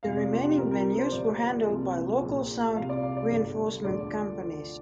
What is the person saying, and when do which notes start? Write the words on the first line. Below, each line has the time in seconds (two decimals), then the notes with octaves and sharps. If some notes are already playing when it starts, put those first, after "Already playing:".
The remaining venues were handled by local sound reinforcement companies.
0.03 F1 F2 C3 F3 F5
0.17 D5
0.30 F4
0.44 G4
0.58 C2 C3 F3 A#4
0.71 A#4
0.98 C5
1.12 G1 G2 F3 D5
1.66 C2 A#2 F3
2.21 A#1 A#2 F3
2.75 C2 C3 F3 F5
2.89 D5
3.03 F5
3.17 D5
3.30 G1 G2 D3
3.84 D2 D3 F3 D5